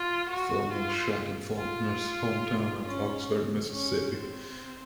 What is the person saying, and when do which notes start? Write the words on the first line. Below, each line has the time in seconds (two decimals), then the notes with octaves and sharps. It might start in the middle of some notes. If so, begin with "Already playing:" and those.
The film was shot in Faulkner's home town of Oxford, Mississippi.
Already playing: F4
0.29 F#4
0.72 F4
1.56 F4
2.85 C#4
3.70 C#4
4.13 C4